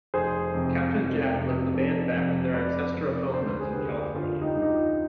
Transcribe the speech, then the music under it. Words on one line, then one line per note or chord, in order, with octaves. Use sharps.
Captain Jack led the band back to their ancestral homelands in California.
F1 G#4 C5
F2 C3
F1
F2 C3
F1
F2 C3
F1 B4 D5
F2 C3
D2 C5
B4
G#4
D3 G3 G4 B4
D2 F4
D#4 G4
D3 G3
D#4
F4